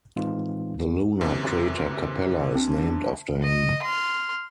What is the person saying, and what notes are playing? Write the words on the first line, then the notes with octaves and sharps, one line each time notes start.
The lunar crater Capella is named after him.
A2 E3 G#3 C4 D#4 F4
F#2 C3 E3
C4 D4
D#5
C6 F6